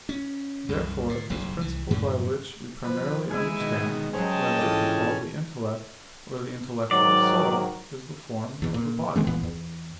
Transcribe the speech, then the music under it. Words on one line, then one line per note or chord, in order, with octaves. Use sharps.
Therefore this principle by which we primarily understand, whether it be called the intellect or the intellectual soul, is the form of the body.
C#4
C2 F#2
A2
F#1 B1 E2 C3
C2 E3
F#2 A2 C#3 F3
F3 B4
G#3 D#4 E4 G#4 G#5
B2 D#3
F#3 C#4 G#4 C5 D#5 G5 A5
G#1 E3 F4 A4 D5
G#2 D#3 F#3 D5
E2 B2
A#2
D#3 G#3 C4
D#1 A#2 E3 B3
E2